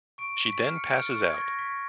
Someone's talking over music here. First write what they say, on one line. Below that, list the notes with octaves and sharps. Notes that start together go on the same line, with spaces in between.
She then passes out.
C#6 D7
C#6
B6
F6 C7
C#7
F6 D7
A6
C#6
G#6
C#6 A#6
A6
C#6 B6